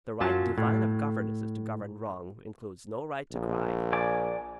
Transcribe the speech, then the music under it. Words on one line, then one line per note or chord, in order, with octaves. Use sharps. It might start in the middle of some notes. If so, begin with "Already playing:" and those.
The right divine of governesses to govern wrong includes no right to cry.
F#2 F#3 C#4 F4 A5
A2
A#1
D5 G#5 D6